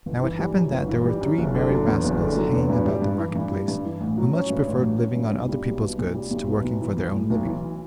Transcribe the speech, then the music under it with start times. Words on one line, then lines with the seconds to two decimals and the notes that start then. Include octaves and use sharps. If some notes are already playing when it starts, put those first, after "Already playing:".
Now it happened that there were three merry rascals hanging about the market-place, who much preferred living on other people's goods to working for their own living.
0.06 G1
0.23 E3
0.39 G3
0.55 F#2
0.72 G1
0.89 E3
1.05 G3
1.21 F#2
1.38 F#1
1.54 D3
1.71 F#3
1.87 E2
2.04 F#1
2.20 D3
2.36 F#3
2.53 E2
2.70 G2
2.85 G3
3.02 G2
3.19 E3
3.36 G2
3.52 G3
3.68 G2
3.85 E3
4.01 A1
4.18 F#3
4.34 C#4
4.50 G2
4.67 A1
4.83 F#3
4.99 C#4
5.16 G2
5.33 B1
5.49 G3
5.65 B1
5.82 B2
5.98 B1
6.15 G3
6.31 B1
6.47 B2
6.64 B1
6.81 E3
6.97 B1
7.13 A2
7.30 B1
7.46 E3